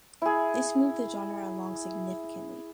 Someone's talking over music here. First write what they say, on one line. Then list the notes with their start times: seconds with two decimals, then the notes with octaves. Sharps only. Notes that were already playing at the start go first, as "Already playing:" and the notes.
This moved the genre along significantly.
0.22 E4 G#4